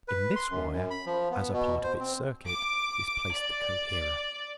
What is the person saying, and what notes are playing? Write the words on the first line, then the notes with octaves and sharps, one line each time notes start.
In this wire--as a part of its circuit--is placed the coherer.
B4
C6
F#2
F#2
B5
F3
B3
B2
C5
C4
D6
D5